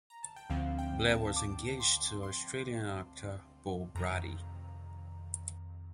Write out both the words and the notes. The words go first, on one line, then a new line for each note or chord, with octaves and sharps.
Blair was engaged to Australian actor Beau Brady.
A#5
A5
G5
D2 D3 F3 C4 F5
G5
A5
D6
C6
C6
F2 C3 D#3 A#5